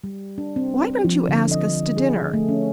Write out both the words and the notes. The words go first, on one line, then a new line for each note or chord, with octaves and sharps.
Why don't you ask us to dinner?
G3
D4
C4
F3
D3
D#5
G#4
A3
C#4